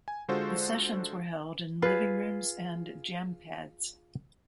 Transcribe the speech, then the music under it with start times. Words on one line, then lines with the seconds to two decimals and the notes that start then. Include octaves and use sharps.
The sessions were held in living rooms and jam pads.
0.08 G#5
0.28 D3 G#3 F4 F#4 A4 C5
1.82 F4 G#4 B4